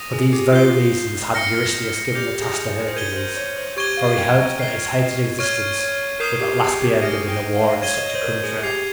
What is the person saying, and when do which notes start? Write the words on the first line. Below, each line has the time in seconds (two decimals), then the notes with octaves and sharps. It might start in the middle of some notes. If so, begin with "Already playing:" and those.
For these very reasons had Eurystheus given the task to Hercules, for he hoped that his hated existence would at last be ended in a war in such a country.
Already playing: D#6 A#6 D#7
0.13 G#4
0.33 G4
0.52 F4 G6 C7 G7
1.34 F6 A#6 C#7
2.15 G4 G6 A#6 F7
2.41 G#4
2.69 G#4
2.88 C5
2.96 A#4 G#6 D#7 G7
3.16 C5
3.37 C#5
3.57 C5
3.77 G4 C#6 G#6 D#7 G7
3.97 F5
4.18 G5
4.38 A#5
4.58 G5 F6 C7 G7
4.99 D#5
5.39 C#5 C#6 F6 G#6 D#7
5.79 C#5
6.20 A#4 D#6 G6 C7 G7
6.40 G4
6.61 G#4
6.81 G4
7.01 G#4 F6 A#6 D#7
7.28 G5
7.55 F5
7.82 C#5 G#6 D#7 G7
7.97 D#5
8.03 C#5
8.15 C5
8.23 A#4
8.43 G#4
8.63 G4 G#6 C7 F7